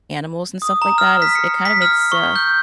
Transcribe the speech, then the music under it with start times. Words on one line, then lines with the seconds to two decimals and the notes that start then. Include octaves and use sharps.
animals and stuff like that is it kind of makes, uh,
0.62 D#6
0.82 A#5
0.98 F6
1.22 B6
1.35 C#7
1.65 B6
1.82 F6
2.12 C#6
2.36 G6